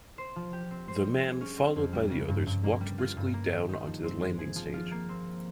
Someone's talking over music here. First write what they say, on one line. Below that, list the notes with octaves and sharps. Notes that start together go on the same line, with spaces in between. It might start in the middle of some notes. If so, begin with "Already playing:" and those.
The man, followed by the others, walked briskly down on to the landing-stage.
C5
F3
G4
C4
C5
G3
G#4
C#4
C4
F2
G3
C#3
G2
G2
A#3
G3
F4
G2
A#3
D#3
D#4
F3
C4
G#3
G#4
F3
F4
A#3
C4